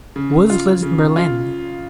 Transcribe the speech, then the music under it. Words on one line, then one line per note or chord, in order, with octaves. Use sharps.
Woods lives in Berlin.
C#3
F4
C#3
F4